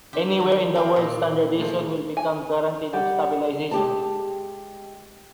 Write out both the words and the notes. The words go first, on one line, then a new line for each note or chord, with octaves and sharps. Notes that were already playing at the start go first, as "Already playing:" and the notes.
Anywhere in the world standardization will become guaranteed of stabilization.
D3 G4
D#3
C4 A#4 B4 G5
A#2
F3 G#3 A3
G#5
G3 G4 F#5
G#3 G4 A5